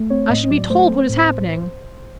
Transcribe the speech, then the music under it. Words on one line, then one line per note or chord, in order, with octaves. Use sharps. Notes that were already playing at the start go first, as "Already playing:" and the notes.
"I should be told what is happening."
Already playing: A3
C4 C#5
A2 D#5
F#3 D5
A3 C5
C4
A2